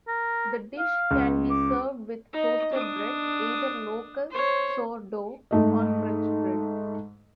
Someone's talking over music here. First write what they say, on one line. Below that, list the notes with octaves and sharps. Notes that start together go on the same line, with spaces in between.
The dish can be served with toasted bread, either local sourdough or French bread.
A#4
F5
C#2
D6
D#4 D#5
D4 D#6
C5 C#5
G#2 A3 D#5